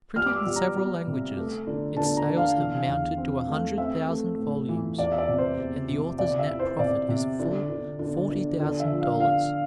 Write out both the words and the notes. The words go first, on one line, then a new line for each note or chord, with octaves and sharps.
Printed in several languages, its sales have mounted to a hundred thousand volumes, and the author's net profit is full forty thousand dollars.
G3 F6
D6
E6
G3
A#5
G3
C3
A3
D3
D3 A5
A#5
D3
F5
E3
E2
C4
A3
C4 E5
A3
A2
E3
E2 D5
E5
D5
C3
C5
E2
C3
C3 D5
E5
E4
C5
C3 D5
C3
D3
D3
D3
D3
D3
E5
F3
F5
D3 F5